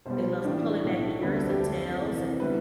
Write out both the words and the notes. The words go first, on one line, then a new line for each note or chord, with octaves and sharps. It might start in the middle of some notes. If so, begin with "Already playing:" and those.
They love pulling their ears and tails and,
B1 B2 G3 C5
A1 A2 E3 A3 D4
B1 A2 F3 A3 D4
D2 C3 G3 B3 D4 B4
A4
G4
F2 D3 A3 A4
C2 C3 E3
D3 G3 B3 E4 B4